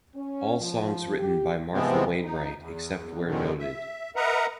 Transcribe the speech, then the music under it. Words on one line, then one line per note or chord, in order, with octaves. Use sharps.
All songs written by Martha Wainwright except where noted.
C#4
F3
G4
C3 E3 F3 G#3 B3 C4
D#4
E2
F#2 B2 D3 D#3
E5
A#4 B4 D#5 E5 F#5 A#5